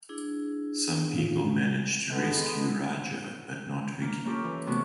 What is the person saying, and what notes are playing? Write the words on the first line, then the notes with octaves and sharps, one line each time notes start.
Some people manage to rescue Raja but not Vicky.
D4 E4 G#4
A2 F4
G#3 B3 A4
A#3
A#3 C#4 F4 G4 A4
E3
C3 A3 B3 F#4